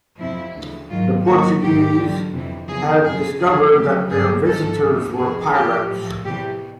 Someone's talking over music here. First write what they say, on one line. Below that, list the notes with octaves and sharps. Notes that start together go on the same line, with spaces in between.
The Portuguese had discovered that their visitors were pirates.
F2 C3 F3 E4
D2 C#3 E3
G#2 D#3 F#3 F4
D#2 D#3 F#3 F#4
G#2 E3 G4
D2 D3 F#3
F2 C3 E3
E2 C#3 F3 G#4
F#2 C#3 F3 G#4
F2 D3 F3 G#4
D2 C#3 F#3 G4
G2 D3 F#3 G#4
G#2 F3 A4
D2 C3 E3
F2 C3 F3 G#4
A2 F3 G4
A2 F3
E2 C3 E3 G4